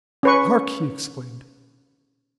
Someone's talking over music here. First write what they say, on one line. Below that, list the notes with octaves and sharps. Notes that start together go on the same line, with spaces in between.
"Hark!" he exclaimed.
C#4 B4 C#6